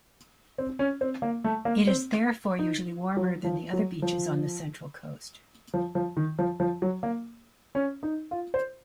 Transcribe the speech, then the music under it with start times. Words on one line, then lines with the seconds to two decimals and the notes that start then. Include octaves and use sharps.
It is therefore usually warmer than the other beaches on the Central Coast.
0.58 C4
0.79 C#4
1.01 C4
1.22 A#3
1.44 A3
1.65 A#3
1.87 C4
2.59 D#4
3.17 F#3
3.44 F3
3.73 F#3
4.02 F3
5.74 F3
5.95 F3
6.17 D#3
6.39 F3
6.60 F3
6.82 F#3
7.03 A#3
7.75 C#4
8.03 D#4
8.31 F4
8.54 C5